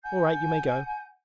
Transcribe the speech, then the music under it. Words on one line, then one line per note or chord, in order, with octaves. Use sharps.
'All right, you may go!'
F#5 G#5 G6